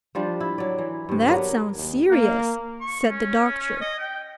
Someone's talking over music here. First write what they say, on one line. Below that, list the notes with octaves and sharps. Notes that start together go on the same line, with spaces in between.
"That sounds serious," said the doctor.
F3 G3 D4 F4
E4
F#3 D5
E3
G2 C3
F#3 B3 D4 A#4
D#2
A#3
C#6
C#4
D#5
G5